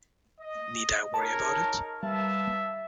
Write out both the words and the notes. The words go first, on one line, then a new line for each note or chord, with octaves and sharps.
Need I worry about it?
D#5
D#4 G#4 A#4 C#5 A5
G3 B4 E5 F5 A5